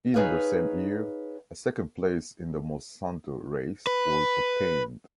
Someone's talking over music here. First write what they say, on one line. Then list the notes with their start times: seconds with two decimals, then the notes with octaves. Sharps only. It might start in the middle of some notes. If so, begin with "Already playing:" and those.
In the same year, a second place in the Monsanto race was obtained.
0.14 D#4 G#4 B4 C#5 F5
3.87 B4